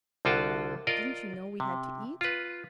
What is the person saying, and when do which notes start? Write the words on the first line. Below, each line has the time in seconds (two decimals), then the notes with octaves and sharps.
Didn't you know we had to eat?
0.25 C2 D3 F4 F#4 G5 A5
0.87 F4 A#4 D5 D#5
1.60 C3
2.21 F4 B4